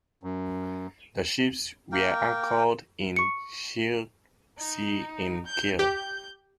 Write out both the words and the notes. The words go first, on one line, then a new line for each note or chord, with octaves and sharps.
The ships were anchored in Schilksee in Kiel.
F#2
A#3 A#4 G5
C#6 C#7
D#4
G6
G4 G6